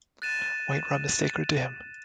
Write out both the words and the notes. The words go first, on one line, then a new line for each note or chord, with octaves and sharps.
White rum is sacred to him.
F#6 A6 D#7 E7